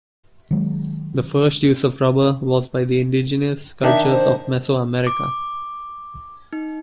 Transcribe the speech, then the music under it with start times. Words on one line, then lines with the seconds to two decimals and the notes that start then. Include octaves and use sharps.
The first use of rubber was by the indigenous cultures of Mesoamerica.
0.51 D#3 F#3 G#3
3.83 D#3 D4 D#4 E5
4.10 C5
5.07 D6
6.53 D#4